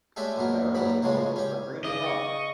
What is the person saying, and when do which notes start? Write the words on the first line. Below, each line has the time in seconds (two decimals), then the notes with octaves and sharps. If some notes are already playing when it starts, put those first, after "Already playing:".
Beroes colours are green and white.
0.16 G#3 A3 C#4 G4 D5 E5
0.36 A#1 F#2 B2 A#4
0.75 A#1 G2 F#3 G3 B5
1.02 C#2 A2 C#3 F3 G#3
1.36 C#4 G4
1.85 C#3 D5 D#5
2.06 C#6